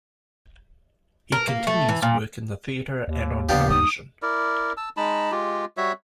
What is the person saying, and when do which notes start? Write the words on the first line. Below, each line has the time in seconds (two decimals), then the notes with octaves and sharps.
He continues work in the theatre and on television.
1.32 A#4
1.48 A#3
1.67 A3
1.89 E3
2.02 A#2
3.08 D#2
3.49 C#3 F3 B3 D4 G4 F5
3.70 G3 D#4 D#6
4.22 E4 A#4 D5
4.77 A5 E6
4.97 G#3 D#4 A5 B5
5.32 G#3 F4 G4
5.77 G3 F#4 C#5 E5